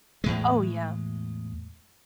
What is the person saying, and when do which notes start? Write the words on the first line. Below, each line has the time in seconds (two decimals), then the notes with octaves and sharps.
Oh, yeah.
0.24 E2 A2 G#3